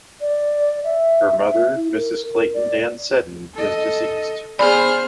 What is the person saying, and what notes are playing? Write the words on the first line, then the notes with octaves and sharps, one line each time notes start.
Her mother, Mrs. Clayton Dann Seddon, is deceased.
D5
E5
E5
E4
A#4
A#4
D5
A4 D#5
B3 G#4 C5 D5 B5 F6